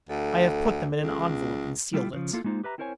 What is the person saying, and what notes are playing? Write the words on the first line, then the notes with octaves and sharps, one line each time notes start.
I have put them in an envelope, and sealed it.
D2 A4
C#2
D3 G3 A3 E4 F4 G4
C#3 F3
A#3 E4 F4 A4
G#3 A#3 D#4 F4 C5
G4 B4 E5 A#5
C4 E4 A#4 C5 C#5 G#5